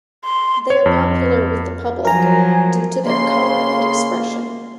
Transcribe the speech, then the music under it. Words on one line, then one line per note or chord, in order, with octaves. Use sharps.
They are popular with the public due to their colour and expression.
C6
C#5
F2
F3 F#3 A#4 G#5 A#5
C#3 A#3 C6